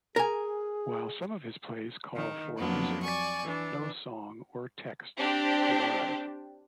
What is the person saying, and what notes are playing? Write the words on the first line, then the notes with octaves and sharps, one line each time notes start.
While some of his plays call for music, no songs or texts survive.
G#4 A#4 G#5
D#3
F2 F#3 A#3 B3 D4
D5 G#5 C#6
E3 D4
C4 D4 G4